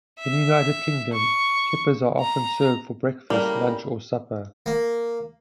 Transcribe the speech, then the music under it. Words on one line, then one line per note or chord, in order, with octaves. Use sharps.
In the United Kingdom, kippers are often served for breakfast, lunch or supper.
E5
C#6
A#5
A2 C#3 G3 A#3
A#3